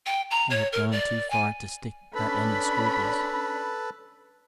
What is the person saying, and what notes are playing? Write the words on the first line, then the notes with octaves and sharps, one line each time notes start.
He had gone too far to stick at any scruples.
G5
A#5
C#5
A#4
D5
G#5
C#4 D4 A4 B4 B5